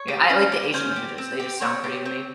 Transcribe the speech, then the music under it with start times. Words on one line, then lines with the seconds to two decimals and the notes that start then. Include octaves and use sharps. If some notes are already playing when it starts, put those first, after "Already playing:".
Yeah, I like the Asian languages, they just sound pretty to me.
Already playing: C#5
0.08 G4
0.30 C#4
0.52 G4
0.74 C#4 C5
0.96 G4
1.18 C4
1.40 G4
1.61 C4 C#5
1.84 G4
2.06 C4